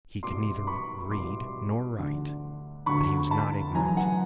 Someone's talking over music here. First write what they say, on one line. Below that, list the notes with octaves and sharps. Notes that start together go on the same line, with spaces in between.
He could neither read nor write. But he was not ignorant.
C2 B2 C6 D6
B5 C#6
C2 B2 C6 D6
D2 D3
D2 D3 B5 C#6
A5 B5
F#2 C#3 E3 G#5 A#5
F#5 G#5